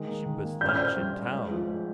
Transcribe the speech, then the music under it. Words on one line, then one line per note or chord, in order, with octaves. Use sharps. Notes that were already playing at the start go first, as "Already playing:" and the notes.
Cheapest lunch in town.
Already playing: D#3 G#3
A#3
D#3
A#3
C#4 G6
F6
C5 G6
G3
G3
G#3
F3
G#3